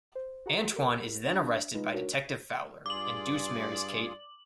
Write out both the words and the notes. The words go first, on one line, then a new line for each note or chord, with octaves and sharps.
Antoine is then arrested by Detective Fowler, and Deuce marries Kate.
C5
F#4 G#4 F#5 A#5
G4 A#4
D4
G#3 D#4 F4 B4
D4 F#4 A#4 C#5
G2 F4 G#4 D5 D6 F#7